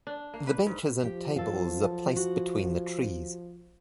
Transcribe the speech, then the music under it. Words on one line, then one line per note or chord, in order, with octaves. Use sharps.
The benches and tables are placed between the trees.
D4
A#3
B4
G#2
F3 G4
F#3 A4 F5
F#4